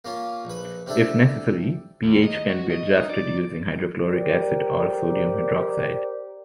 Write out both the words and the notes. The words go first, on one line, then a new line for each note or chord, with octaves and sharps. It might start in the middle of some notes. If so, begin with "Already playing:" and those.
If necessary, pH can be adjusted using hydrochloric acid or sodium hydroxide.
A#3 C#4 F4
A#1 B4
C3 C4 D4 A4 E5
D#2
D#5
F#4
D#5
D#4
D5
G4 A#4 C5 D5